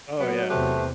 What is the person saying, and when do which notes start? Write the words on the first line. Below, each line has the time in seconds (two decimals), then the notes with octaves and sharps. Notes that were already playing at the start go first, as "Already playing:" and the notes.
Oh, yeah.
0.20 F#3 B3
0.50 E2 C3 A3 G4 B4 C5